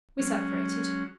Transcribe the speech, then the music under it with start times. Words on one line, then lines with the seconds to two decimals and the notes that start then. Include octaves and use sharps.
We separated.
0.19 F#3 G#3 C#4